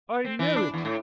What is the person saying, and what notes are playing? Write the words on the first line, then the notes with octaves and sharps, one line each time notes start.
'I knew it!
C4
E3
D4
E2
A2